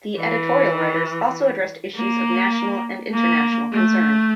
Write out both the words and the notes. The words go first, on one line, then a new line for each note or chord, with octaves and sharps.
The editorial writers also addressed issues of national and international concern.
E3
A#3
A#3
A3